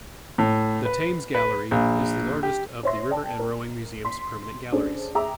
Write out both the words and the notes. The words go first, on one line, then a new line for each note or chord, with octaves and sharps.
The Thames Gallery is the largest of the River and Rowing Museum's permanent galleries.
A2
B4
B4
A#1
G4
C5 C#5 E5 C6 A#6
D5 G5 A5
A#4
C6 B6
C#4 D4 G#4 A4 C5
G#4 E5 G5 A#5 D6 E6